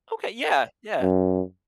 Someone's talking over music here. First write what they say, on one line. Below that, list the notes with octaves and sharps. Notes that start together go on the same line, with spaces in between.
Okay, yeah, yeah.
F#2